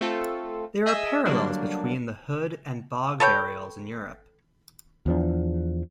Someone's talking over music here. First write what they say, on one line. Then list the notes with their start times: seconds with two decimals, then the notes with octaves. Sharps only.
There are parallels between the Hood and bog burials in Europe.
0.01 A3 C4 F4 A4
0.86 G#4 D#5 E5 G#5 E6
1.26 D3 F#3 G3 A#3 D4
3.20 A4 B4 C#5 G5
5.06 E2 F3 D4